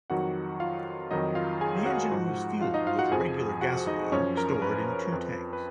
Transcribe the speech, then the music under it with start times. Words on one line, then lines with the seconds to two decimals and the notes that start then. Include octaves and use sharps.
The engine was fueled with regular gasoline stored in two tanks.
0.10 F2 D#3 F#3 F#4 F#5
0.60 F4 F5
1.11 F2 D#3 F#3 D#4 D#5
1.35 F4 F5
1.61 G#4 G#5
1.86 F#4 F#5
2.11 G#2 F3
2.61 F4 F5
2.74 D#4 D#5
2.87 F4 F5
2.99 F#4 F#5
3.11 F2 F3 G#4 G#5
3.61 F#4 F#5
3.87 D#4 D#5
4.12 F#2 F3 C#4 C#5
4.37 A#4
4.62 B4
5.12 F2 F3 B4
5.53 B4